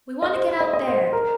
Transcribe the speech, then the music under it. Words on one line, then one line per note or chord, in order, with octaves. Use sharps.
We want to get out there.
D#5
C5
C5
D#5
D#5
C5
A#4